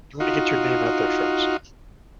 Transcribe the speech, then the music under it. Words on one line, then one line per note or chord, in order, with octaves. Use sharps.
You wanna get your name out there first
D#4 F4 F#4